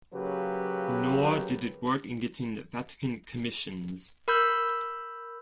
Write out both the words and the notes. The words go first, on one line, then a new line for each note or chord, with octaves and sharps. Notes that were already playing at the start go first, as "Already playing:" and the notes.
Nor did it work in getting Vatican commissions.
C#3 F#3 A#3 G4 B4
A#4 B5 E6 G6